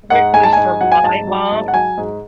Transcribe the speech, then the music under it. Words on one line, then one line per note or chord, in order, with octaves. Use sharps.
strictly for my mom
G#2 F#5
G#2 G#5
A5
G#2 G#5
F#3 F#5
G#5
G#2 A5
F#3
G#2
F#5
F#3 G#5
G#2